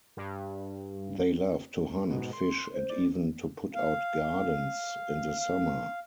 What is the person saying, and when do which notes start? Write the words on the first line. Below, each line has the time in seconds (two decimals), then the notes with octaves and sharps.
They loved to hunt, fish and even to put out gardens in the summer.
0.17 G2
2.10 G#2 B2
2.33 C6
2.74 C5
2.90 D5
3.75 F5
5.39 F5